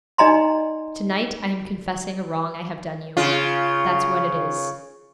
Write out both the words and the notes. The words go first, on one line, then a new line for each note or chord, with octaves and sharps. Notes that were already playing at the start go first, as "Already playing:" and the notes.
To-night I am confessing a wrong I have done you. That's what it is.
D#4 D5 D#5 G#5 A#5 C6
C#3 F4